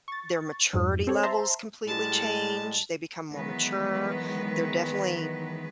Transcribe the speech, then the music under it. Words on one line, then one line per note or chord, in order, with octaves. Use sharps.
their maturity levels completely change, they become more mature they're definitely
C#6 A6
F2 G#2 F#3
C4 A4 C#5
C5 E5 A5 A#5 C6
A2 G3 G#3 A5
D#3 E3 F#3 G#3 B3 B4